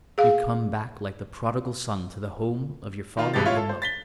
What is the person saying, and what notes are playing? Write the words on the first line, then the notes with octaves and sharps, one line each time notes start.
You come back like the Prodigal Son to the home of your father and mother.
G#4 F5
D#3 F4
G#1 G2 B2 G#3 G4 A6
E4 F4 C#5 E5 F5
A4
C5
A6 B6 G7